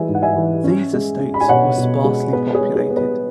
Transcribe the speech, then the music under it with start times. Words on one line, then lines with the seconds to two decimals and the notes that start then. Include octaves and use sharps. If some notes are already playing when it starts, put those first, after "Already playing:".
These estates were sparsely populated.
Already playing: E3 G#3 E5 G#5
0.09 G#2
0.15 F#5
0.22 E5 G#5
0.36 E3
0.64 C#4
0.93 G#3
1.20 C#4
1.34 B5
1.41 G#5
1.48 B2 C#5 F#5
1.77 B2
2.04 G#3
2.33 B3 B4
2.55 G#4 C#5
2.61 G#3
2.76 G#4
2.90 B3
2.97 B4